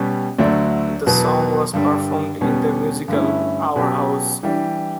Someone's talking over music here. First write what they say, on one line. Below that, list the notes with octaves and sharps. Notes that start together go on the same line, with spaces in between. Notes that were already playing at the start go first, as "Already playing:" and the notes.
The song was performed in the musical, 'Our House.
Already playing: B2 G3 C#4 G4
D2 D3 F#3 A3 D4
E2 B2 F#3 B3
G2 D3 G3 D4
E2 B2 G3 C#4
G2 D3 A3 C#4 E4
B2 F#3 C#4 G4
E3 G3 D4 G4